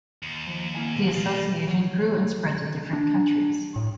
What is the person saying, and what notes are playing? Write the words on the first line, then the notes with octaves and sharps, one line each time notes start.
The association grew and spread to different countries.
D#2
F3
A#3 E4 G#5
B2 G3 A3
D5 F5
F#3
D4
A2